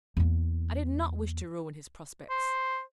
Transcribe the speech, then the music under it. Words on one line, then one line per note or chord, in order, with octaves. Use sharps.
I did not wish to ruin his prospects.'
E2 A#3
C5